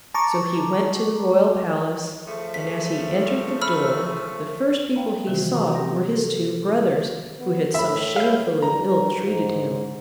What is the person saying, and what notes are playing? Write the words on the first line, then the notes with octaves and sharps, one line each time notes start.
So he went to the royal palace, and as he entered the door the first people he saw were his two brothers who had so shamefully ill-treated him.
A5 A#5 C#6 D6
C#3 F3 A3
B6
B5 E6 F6
A#3 B3 F5 G5
C3 D#3 E3 C#4 F4 F#4
A#5 C#6
C4 G4 C6 A#6
A4
D#3
B3
A2 E5 B5
F5 G6
G2 A#5
G#2